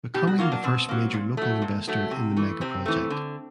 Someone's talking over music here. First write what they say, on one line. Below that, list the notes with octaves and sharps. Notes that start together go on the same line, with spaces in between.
Becoming the first major local investor in the megaproject.
B2 G4
F#4
F#3 A#3 F4
D4
B2 C4
F#3 A#3
A#2
F#3 A3
A#2
F#3 A3
C3
E3 A3
C3 C4
E3 A3
D3